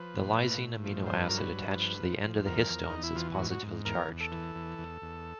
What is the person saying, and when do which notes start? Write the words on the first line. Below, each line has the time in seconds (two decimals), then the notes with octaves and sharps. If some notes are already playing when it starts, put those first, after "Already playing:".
The lysine amino acid attached to the end of the histones is positively charged.
Already playing: F3 B4
0.14 A#2
0.37 A2
0.61 A2
0.84 F3
1.06 G2 C5
1.18 B4
1.28 F#3 A#4
1.38 B4
1.53 G2
1.76 F3
1.99 F3
2.22 F3
2.46 E2 A#4
2.70 E2
2.89 E2 D#4
3.03 E4
3.15 E3 F4
3.34 F#4
3.39 G#2
3.51 F#4
3.62 G#2
3.85 E2 A#4
4.08 E2
4.20 A4
4.32 E3
4.55 E2
4.78 E2
5.02 E2